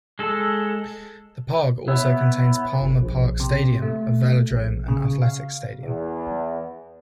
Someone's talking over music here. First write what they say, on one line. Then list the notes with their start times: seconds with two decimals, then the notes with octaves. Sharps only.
The park also contains Palmer Park Stadium, a velodrome and athletics stadium.
0.19 G#3 A4
1.88 B3 E4 C#5
2.81 G1
3.01 A#1
3.40 C3
3.82 A3
4.51 A#1
4.88 C#3
5.22 F5
5.82 E2